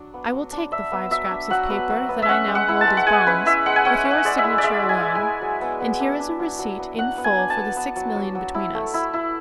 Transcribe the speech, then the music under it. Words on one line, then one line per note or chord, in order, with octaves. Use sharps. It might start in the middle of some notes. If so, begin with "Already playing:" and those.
I will take the five scraps of paper that I now hold as bonds, with your signature alone, and here is a receipt in full for the six millions between us.
Already playing: F#3 D4
B3
F#3
D4
D4 E5
B3
F#3 E5
D4
F#3 F#5
B3
F#3
B3
E5
C#4 F#5
G#3
F#5
E4
A5
G#3
F#5
G#3 G#5
C#4 B4
E4 E5
G#3 F#5
G#5
C#4 F#5
C#4
F#5
G#3 D5
E5
E4
D5
G#3 E5
G#3
G#5
G#3
G#5
E4
F#3
B3
B3
D4
D4
F#3
F#3
B3
F#3 F#5
B3
G#5
D4
A5
B3
B3
F#3
F#3
F#3
E4
A3
E4
E4